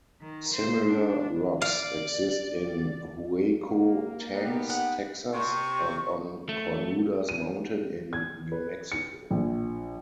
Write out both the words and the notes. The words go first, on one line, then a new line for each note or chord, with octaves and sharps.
Similar rocks exist in Hueco Tanks, Texas, and on Cornudas Mountain in New Mexico.
D#3
C5
D4
D5 F5
A#3
B3 D#4 G4
F#5
C3 C#6
A3
D#7
G#6
B4
C#7
A#1